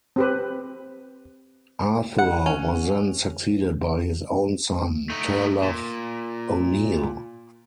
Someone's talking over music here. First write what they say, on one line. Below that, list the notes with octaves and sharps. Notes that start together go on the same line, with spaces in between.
Arthur was then succeeded by his own son, Turlough O'Neill.
C4 G4 B4
F#5
C#4
A3 D#4
A#2